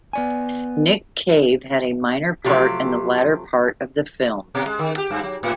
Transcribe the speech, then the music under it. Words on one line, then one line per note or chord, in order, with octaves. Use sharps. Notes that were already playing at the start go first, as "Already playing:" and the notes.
Nick Cave had a minor part in the latter part of the film.
B3 D5 G#5
C3 F3 F#3 A3 G4
B2
G#3
D#3
G4
G2
F#3
A2